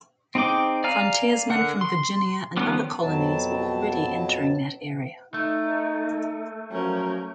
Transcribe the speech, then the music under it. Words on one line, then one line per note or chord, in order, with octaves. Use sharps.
Frontiersmen from Virginia and other colonies were already entering that area.
C4 D#4 G#4 G5 D6
D5 F5 G#5 A#5 F6
D3 A#4 F#5
C6
D#3 F3 G3 B3 C#4
F2 B2 F#3 A5
A3 D#4
F3 F#3 C#4 A#4